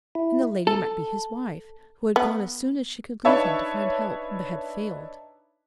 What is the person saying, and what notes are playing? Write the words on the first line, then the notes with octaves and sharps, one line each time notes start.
And the lady might be his wife, who had gone as soon as she could leave him to find help, but had failed.
E4
A4
B3
D4 D#4 B4 C#5 E5 A5